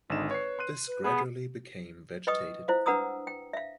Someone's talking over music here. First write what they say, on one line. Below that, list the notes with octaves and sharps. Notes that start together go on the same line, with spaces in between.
This gradually became vegetated.
G#1 D3 D#4 E7
B4 C#5 C7
C6 F#6 D#7
B4
B3 G#4
B4 D#5 G5 C#6 D#6
E4 C5 F5
D4 B4 F#5 A#5 D#6 E6
G5
E5 F5